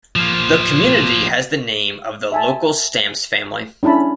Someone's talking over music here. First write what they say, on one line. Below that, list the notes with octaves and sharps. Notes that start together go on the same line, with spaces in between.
The community has the name of the local Stamps family.
F3 A#3
E5 G#5 A5
C#4 D4 E4 A5 B5